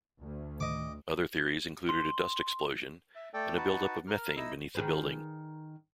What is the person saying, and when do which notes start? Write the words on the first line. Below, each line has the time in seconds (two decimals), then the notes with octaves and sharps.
Other theories included a dust explosion and a build-up of methane beneath the building.
0.21 D2
0.60 A2 D#3 D4 D#5 D6
1.89 C6
3.15 E5
3.34 A3 A4 D5 G5
3.56 D#4 F#4 B4 F#5 A5
4.07 A#4 F6
4.37 D#4 E4 D#5 E6
4.75 D#3 G#4 B4